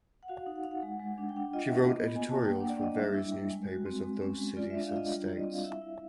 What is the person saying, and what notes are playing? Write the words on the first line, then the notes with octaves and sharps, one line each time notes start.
She wrote editorials for various newspapers of those cities and states.
F#5
F#4 F5
D#4
F#5
D#4 F5
F#5
G#3
G#3
D4
G5
D4 F#5
F4 D#5
E5
A#3
B3 D#5
B3
G#5
F#4 A5
A#3 G5
F#5
D4
D5
D4 D#5
G3 E5
E4
G3
G#3
F#4
C4
G#3
C#4
G#3
F4 D5
E5
D4
F5
F4 D#5
G3
E4 D5
D#5
C4
F5
E4 E5
E4